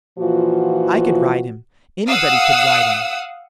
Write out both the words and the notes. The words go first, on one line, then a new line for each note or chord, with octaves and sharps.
I could ride him; anybody could ride him.
A#2 E3 F3 F4 F#4
F5 F#5 D#6 E6